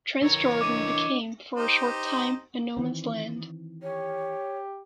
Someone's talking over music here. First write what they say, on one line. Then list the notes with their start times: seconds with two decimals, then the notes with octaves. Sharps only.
Transjordan became, for a short time, a no man's land.
0.23 E3 A#4 C#5
0.61 D4 D#5 D6 D#7
1.57 D#4 G4 C5
2.77 D#3 E3 C4
3.82 G4 C#5